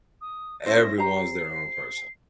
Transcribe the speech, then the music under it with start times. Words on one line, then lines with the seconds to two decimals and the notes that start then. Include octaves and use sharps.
Everyone's their own person.
0.21 D#6
0.66 C#4 E4 C5 A#6
0.98 G4 C5 A#5 C7